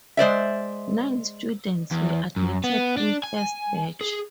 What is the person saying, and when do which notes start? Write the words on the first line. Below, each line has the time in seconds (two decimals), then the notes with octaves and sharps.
Nine students were admitted in first batch.
0.17 G#3 C5 D5 E5
1.92 E2
2.36 F#2
2.64 B3
2.97 D4
3.24 G#5
4.01 G#4